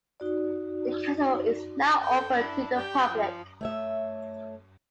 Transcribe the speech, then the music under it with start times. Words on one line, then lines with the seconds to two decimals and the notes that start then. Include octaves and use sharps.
The castle is now open to the public.
0.20 D#4 F#4 D5
2.02 A4 G5
2.34 D4 E4
2.76 G4 G5
3.11 F3
3.61 A3 C#5 E5